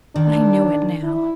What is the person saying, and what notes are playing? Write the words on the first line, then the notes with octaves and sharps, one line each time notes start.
I know it now.
D#3 D4
E4